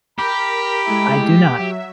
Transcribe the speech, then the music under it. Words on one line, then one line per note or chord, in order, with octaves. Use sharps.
I do not.
G4 A#4 A#5 B5
G#3 A3 E4
F#3 E5